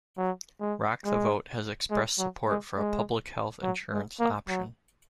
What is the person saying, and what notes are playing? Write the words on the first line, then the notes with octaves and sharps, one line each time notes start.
Rock the Vote has expressed support for a public health insurance option.
F#3
G#3
G#3
G#3
F#3
G#3
G#3
F#3
G#3
A#3
F#3